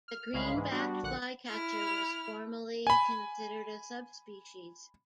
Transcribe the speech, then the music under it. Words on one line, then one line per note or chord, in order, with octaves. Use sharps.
The green-backed flycatcher was formerly considered a subspecies.
F6
C2 C#3 G#3 F5 B5
G#2 E3 G#3
G3 B3 D4 F#4
A#1 D3 F#5 F#6
E4 F6
G#5 B5